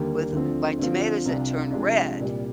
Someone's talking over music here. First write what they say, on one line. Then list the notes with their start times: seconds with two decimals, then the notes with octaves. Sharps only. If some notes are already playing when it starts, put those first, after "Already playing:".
with my tomatoes that turn red,
Already playing: D#2 D3 G3 A#3
0.32 D2 D3 F3 C4
0.79 D3 F3 C4 F4
1.25 C2 C3 G3 D4 F4
1.72 C3 F3 G#3 D4
2.20 C2 A#2 G3